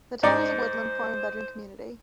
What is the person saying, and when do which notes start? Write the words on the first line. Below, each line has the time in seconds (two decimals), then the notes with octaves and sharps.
The town is a woodland, farm and bedroom community.
0.23 G#2 D#4 C5 D5